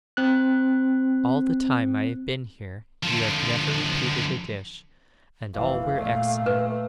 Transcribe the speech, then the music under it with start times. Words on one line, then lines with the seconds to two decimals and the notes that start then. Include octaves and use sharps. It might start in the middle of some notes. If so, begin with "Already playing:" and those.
All the time I have been here you have never repeated a dish, and all were excellent.
0.17 C4 F#6
3.03 D3 F3
5.55 F1 E3 F5
5.95 A#2 A3
6.46 B4